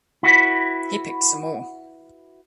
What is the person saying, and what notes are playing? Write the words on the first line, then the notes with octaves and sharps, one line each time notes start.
He picked some more.
E4 F#4 B4